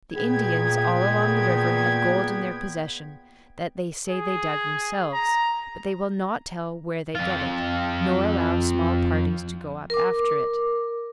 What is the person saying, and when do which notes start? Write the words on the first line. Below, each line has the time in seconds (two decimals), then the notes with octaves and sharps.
The Indians all along the river have gold in their possession that they say they dug themselves, but they will not tell where they get it, nor allow small parties to go up after it.
0.15 A#2 B3 G#4 G5 G#6
4.09 G#4
5.14 A#5
7.15 F2 F4
9.90 A#4 D6